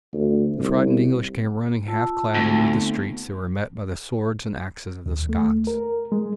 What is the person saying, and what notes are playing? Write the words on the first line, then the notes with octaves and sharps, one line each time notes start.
As the frightened English came running half clad into the streets they were met by the swords and axes of the Scots.
D2
C2
F4 A5 E6
D2 A3 C4 D#4
B3
D#2
A3
A#4
G#3